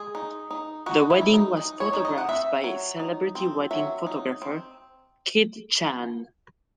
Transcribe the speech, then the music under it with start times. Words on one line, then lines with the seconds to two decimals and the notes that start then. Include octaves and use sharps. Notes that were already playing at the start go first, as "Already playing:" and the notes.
The wedding was photographed by celebrity wedding photographer Kid Chan.
Already playing: G#3 G#4
0.15 D#4
0.51 D#4
0.86 D#4 F#4
1.10 E4
1.21 D#4
1.34 D#4
1.57 D#4
1.80 C#5
1.93 D#4
2.05 D#5
2.18 F#5
2.29 C4 E5
2.64 F#3
2.99 D#4
3.35 C4
3.71 F#3 E5
4.06 D#4
4.42 C4